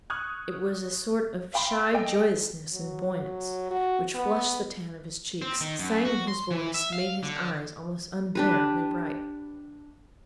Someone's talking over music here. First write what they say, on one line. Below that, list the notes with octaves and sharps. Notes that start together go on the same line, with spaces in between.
It was a sort of shy joyousness and buoyance, which flushed the tan of his cheeks, sang in his voice, made his eyes almost unbearably bright....
C#6 D#6 F6 F#6 G#6
E5 F5 G5 B5 C6
A4 D#5 G5 G#5
F#3
F#4
B3
C4
D#3
F#2
F#4
C6
E3
E5
F5
D3
D4 G4 B4